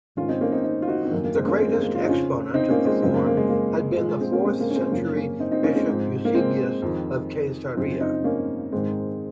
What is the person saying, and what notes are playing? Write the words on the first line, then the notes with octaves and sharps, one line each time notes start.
The greatest exponent of the form had been the fourth-century bishop Eusebius of Caesarea.
G#2 D#3 C#4 F4
C4 D#4
A#3 C#4
C4 D#4
C4 D#4
F4
D#4 F#4
C4
F#2 D#3 A#3
A#3
G#3 C4
A#3 C#4
G#3 C4
A#3
A#3
F4
D#4
F2 C#3 F3 C#4 F4
C4 D#4
A#3 C#4
G#3 C4
F#2 C#3 F3 G#3 C4
A#3
A#3
G#3
A#3
A#2 F3 G#3
G#3
G#3 C4
A#3 C#4
G#3 C4
A#3
C#4
G#3 C4
F#2 C#3 F3 A#3 C#4
A#3 C#4
C4 D#4
C4 D#4
A#3 C#4
G#3 C4
G#2 F3
A#3
G#3 C4
F2 D#3
F#2 C#3 F3 C4 D#4
C4 D#4
A#3 C#4
G#2 D#3 G#3 C4